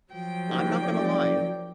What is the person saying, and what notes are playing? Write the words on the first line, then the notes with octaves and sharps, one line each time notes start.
I'm not gonna lie,
F3 F#3 G5
F#1 D#2 G#2
F#1 D5